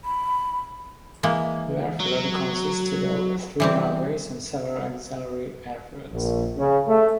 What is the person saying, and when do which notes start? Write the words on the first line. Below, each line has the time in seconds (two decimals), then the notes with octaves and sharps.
The airfield consisted of three runways and several auxiliary airfields.
0.04 B5
1.23 E3 G#3 A#3
2.00 F#3
3.60 E3 G3 C4
6.11 A#1
6.58 C#3
6.87 A3